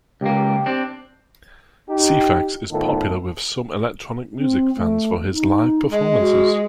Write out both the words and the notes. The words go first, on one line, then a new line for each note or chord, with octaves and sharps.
Ceephax is popular with some electronic music fans for his live performances.
C#2 A#3 G4
C4 D4
D#4 G4
A2 D#3 B3 F4 A4
C4
A3
D#4
G#3 D#5
F#4